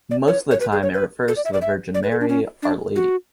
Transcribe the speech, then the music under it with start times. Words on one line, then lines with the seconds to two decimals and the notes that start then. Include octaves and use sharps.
Most of the time it refers to the Virgin Mary, Our Lady.
0.11 D5
0.28 C#5
0.51 C#5
0.60 B4
0.72 G#4
0.83 C#5
0.94 B4
1.28 A4
1.37 D5
1.45 E5
1.53 D5
1.62 E5
1.94 D5
2.03 B4
2.12 A4
2.21 D4
2.29 C#4
2.62 D4
2.96 F#4